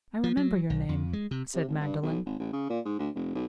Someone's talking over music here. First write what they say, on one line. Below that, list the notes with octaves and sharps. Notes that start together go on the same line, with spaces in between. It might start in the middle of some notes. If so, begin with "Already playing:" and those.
"I remember your name," said Magdalen.
F3
F#3
B1
F2
G#3
C3
C3
G#1
G2
B1
G#1
A1
C#3
A#2
G#2
D2
F1
B1